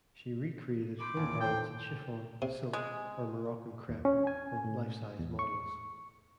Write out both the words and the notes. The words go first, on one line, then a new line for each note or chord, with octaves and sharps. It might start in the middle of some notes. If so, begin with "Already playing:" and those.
She recreated full garments in chiffon, silk, or Moroccan crepe on life-size models.
B5 C6 D6 G6
D#1 E2
A4 C5 G5
C3
G#3
D#2
C#4
G#5
A2
E2
C#6